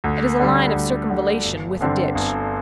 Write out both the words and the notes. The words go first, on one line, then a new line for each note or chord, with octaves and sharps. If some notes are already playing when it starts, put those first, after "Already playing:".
It is a line of circumvallation with a ditch.
D2
D3 G3
D2
D3 G3
G1
G2 D3 C4
G1